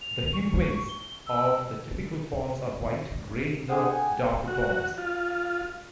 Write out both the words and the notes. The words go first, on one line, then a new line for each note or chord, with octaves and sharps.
The hindwings of the typical forms are white, grey in the darker forms.
F7
C#6
G7
E6
D3 G#4 F#5 G5
G#5
F#4
F4